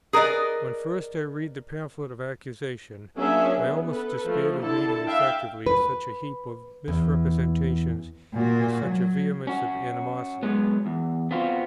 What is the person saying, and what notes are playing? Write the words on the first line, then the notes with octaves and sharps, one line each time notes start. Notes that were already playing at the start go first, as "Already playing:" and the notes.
When first I read the Pamphlet of Accusation, I almost despaired of meeting effectively such a heap of misrepresentations and such a vehemence of animosity.
G#4 A#4 B4 D5 D#5
F#3 A#3 C#4 D4 G#4 E5
B3
A4 B4
F3 A3
D3 E4 A4 A5
E5 F5 G5
B4
E2
A#2 F#4
F#3
C#4 F#4
F#3 G#3 B3
E2
B3 C4 F4 F#4